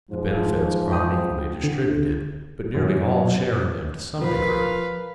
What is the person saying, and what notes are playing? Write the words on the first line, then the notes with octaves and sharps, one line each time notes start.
The benefits are unequally distributed, but nearly all share in them to some degree.
G#2 F3
G5 D#6
D3
F#2 C#4
F3 F4 A#4 B4 F5